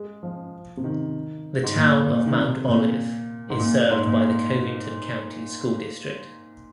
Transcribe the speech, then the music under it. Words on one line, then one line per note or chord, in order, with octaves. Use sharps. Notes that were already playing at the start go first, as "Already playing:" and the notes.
The town of Mount Olive is served by the Covington County School District.
Already playing: G#3
F3
C3
D#3
G#2
A#2
A#2
D#3
C3
A#2
G#2
A#2
G#2
A#2